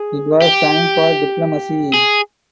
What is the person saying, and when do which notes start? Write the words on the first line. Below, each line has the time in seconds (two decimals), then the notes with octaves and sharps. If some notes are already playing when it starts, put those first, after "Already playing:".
It was time for diplomacy.
Already playing: G#4
0.42 G4
1.94 G#4